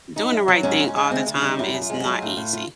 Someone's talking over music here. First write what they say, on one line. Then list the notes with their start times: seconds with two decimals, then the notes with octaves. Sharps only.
doing the right thing all the time is not easy,
0.16 F#2 D#4
0.32 F#2
0.48 F#3
0.63 G#2 C#4
0.80 G#2
0.88 C#4
0.96 G#3
1.12 D2 C4
1.27 D2
1.35 D4
1.42 G3 D#4
1.59 F#2 E4
1.74 F#2
1.82 F4
1.90 G#3
1.99 F#4
2.05 F#3 F4
2.22 A2
2.37 A2
2.53 F4